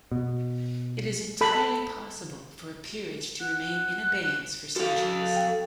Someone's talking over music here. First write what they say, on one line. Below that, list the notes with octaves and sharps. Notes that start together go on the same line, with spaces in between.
It is entirely possible for a peerage to remain in abeyance for centuries.
B2
A4 B5
F#5
F#4 A4 F5
G5